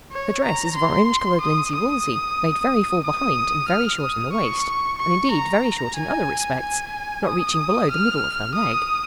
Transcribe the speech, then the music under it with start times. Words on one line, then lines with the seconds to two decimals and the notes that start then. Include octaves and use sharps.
Her dress is of orange-colored linsey-woolsey, made very full behind and very short in the waist--and indeed very short in other respects, not reaching below the middle of her leg.
0.12 C#5
0.44 A#5
0.76 C6
1.41 D#6
1.74 D#6
3.04 D#6
3.68 F6
4.01 D#6
4.33 C#6
4.98 C#6
5.31 A#5
5.96 G#5
6.60 G#5
7.26 D#6
7.91 F6
8.55 D#6